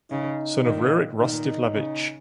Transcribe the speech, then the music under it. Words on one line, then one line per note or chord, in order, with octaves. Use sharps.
Son of Rurik Rostislavich.
C#3 D#4
A#2 D#3
A#2 D#3 D#4
C#3